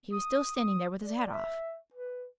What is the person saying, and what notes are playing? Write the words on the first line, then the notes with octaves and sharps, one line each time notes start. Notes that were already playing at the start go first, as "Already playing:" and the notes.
He was still standing there with his hat off.
D#6
D#6
D5
E5
B4